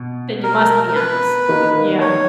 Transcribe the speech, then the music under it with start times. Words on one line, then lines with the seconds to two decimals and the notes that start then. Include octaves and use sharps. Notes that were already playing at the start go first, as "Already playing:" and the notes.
Then you must be honest. Yeah.
Already playing: B2
0.43 A#4
0.96 B4
1.49 D#3 A#3 D#4
2.01 C#5